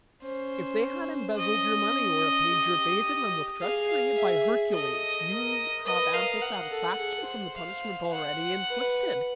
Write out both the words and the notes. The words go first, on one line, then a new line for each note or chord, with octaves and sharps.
If they had embezzled your money or repaid your faith in them with treachery, by Hercules, you have ample satisfaction from the punishment already inflicted!
C#4 C5
C#4 D#5
G4
G#4 F5
F5
E5
A4 D#5
A#4
B4 D#5
A#4 F5
F#5
A4
G#4
C5
F5
F#5
B4